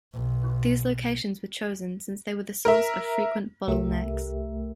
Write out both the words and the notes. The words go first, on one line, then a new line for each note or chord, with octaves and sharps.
These locations were chosen since they were the source of frequent bottlenecks.
B1
A#4 E5
C2 A3 G4 A#4 E5